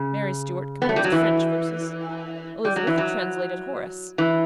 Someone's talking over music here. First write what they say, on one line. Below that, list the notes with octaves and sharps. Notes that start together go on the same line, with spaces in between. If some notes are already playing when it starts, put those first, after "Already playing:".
Mary Stuart composed French verses; Elizabeth translated Horace.
Already playing: C#3
B3
A3
G3
F#3
E3
G3
F#3
E3
F#3
E3